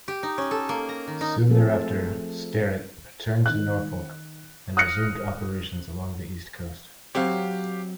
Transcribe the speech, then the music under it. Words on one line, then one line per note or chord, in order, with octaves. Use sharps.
Soon thereafter, "Sterett" returned to Norfolk and resumed operations along the east coast.
G4
D#4
C#4
A4
A#3
A#5
D#3
D#4
F3 A3 C4 G#4 A4
D#3 F#6
D#6 F6 F#6 A#6 C#7
F#3 C4 G4 C#5 F5